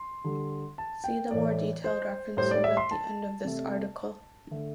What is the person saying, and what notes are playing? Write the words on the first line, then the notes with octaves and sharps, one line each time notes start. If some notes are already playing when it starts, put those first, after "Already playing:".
See the more detailed references at the end of this article.
Already playing: C6
D3 G3
A5
G5
A2 E3 A3 D5
C5
A2 G3 C5
D5
E5
C6
A5
C3 A3
D3 A3